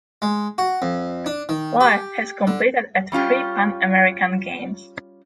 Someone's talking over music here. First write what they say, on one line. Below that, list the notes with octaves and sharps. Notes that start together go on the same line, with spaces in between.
Lye has competed at three Pan American Games.
G#3
F#4
F2
D4
D#3
G4
D3
G3 C#4 F4 G4